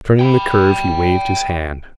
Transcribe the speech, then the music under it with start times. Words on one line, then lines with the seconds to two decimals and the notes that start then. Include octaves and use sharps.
Turning the curve he waved his hand.
0.19 G5 B5